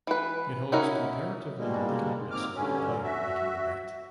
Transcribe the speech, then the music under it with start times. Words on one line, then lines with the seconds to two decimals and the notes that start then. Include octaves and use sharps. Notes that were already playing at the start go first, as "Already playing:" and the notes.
It holds comparatively little risk for the player making the bet.
0.07 E3 B4
0.72 C#4 D#4 E4 F#4 A#4
1.58 B2 G3 G#3 A#3
2.31 D#3 F#3 A#3 C4 D6 F6
2.54 G2 D3 F#3 C#4
3.04 F#4 E5